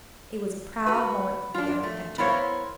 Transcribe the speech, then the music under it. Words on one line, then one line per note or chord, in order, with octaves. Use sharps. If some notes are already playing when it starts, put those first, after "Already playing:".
It was a proud moment for the young inventor.
F#4 B4
D4 F4
A3
B3 E4 A#4 C5 C#5 F5